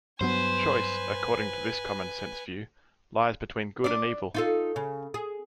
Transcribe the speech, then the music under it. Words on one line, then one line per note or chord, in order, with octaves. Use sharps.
Choice, according to this common-sense view, lies between good and evil.
G2 F#3 B3 B4 C5 G#5
D4 D5
D#4 F4 A4
C#3
G#4